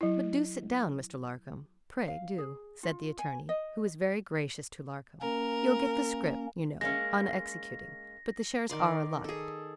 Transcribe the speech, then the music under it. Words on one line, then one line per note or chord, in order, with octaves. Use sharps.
'But do sit down, Mr. Larcom--pray do,' said the attorney, who was very gracious to Larcom. 'You'll get the scrip, you know, on executing, but the shares are allotted.
F#3 E4
F5
G#4
F4
G#5
D#5
A#3 C#4 A#4
G#3 A#3 C#4 A#6
D#3 D5 C6
G#4 A4